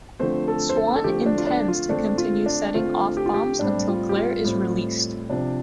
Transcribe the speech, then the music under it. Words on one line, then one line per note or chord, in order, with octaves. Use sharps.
Swan intends to continue setting off bombs until Claire is released.
D3 F3 A3 C4 C5
A4
C5
A4
A4
D3 F3 A3 C4 G4
D4
F4
D4
F4
D3 A3 C4 D4
F4
D4
D3 A3 C4 F4
G4
F4
G4
A2 G3 C4 D4
F4
G4
F4
A2 G3 C4
C3 F3 C4 D4